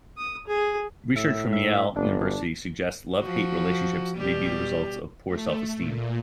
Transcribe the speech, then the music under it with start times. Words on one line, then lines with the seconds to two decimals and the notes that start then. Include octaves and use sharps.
Research from Yale University suggests love-hate relationships may be the result of poor self-esteem.
0.17 D#6
0.47 G#4
1.16 A2 E5
1.52 E5
1.96 G1 D4
3.20 F3 F#4
4.16 B2 G3 G4
5.26 A3
5.75 A#2